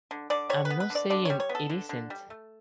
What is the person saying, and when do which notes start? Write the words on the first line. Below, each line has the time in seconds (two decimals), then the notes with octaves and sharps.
I’m not saying it isn’t.
0.11 D3
0.30 D3 D5
0.50 G3 C#5
0.65 B4
0.70 B3
0.80 B4
0.90 D3
0.95 D5
1.10 D3 D5
1.25 G3 C#5
1.40 C#5
1.49 B3
1.55 A4
1.70 D3
1.89 D3
2.10 G3
2.30 A3